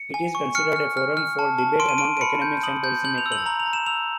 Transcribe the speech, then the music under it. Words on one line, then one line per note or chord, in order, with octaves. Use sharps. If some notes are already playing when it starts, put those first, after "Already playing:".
It is considered a forum for debate among academics and policy makers.
Already playing: C#7
G#5
C#6
F6 C#7
F6
F6
F6
A5
A5
C6 D7
D#7
C6 D7
D7
B5 C#7
G6
D#6 F#7
G6
G6 F#7
F7
E6
F#7
A#5 F#7
F7
A#5
E7
E6 F7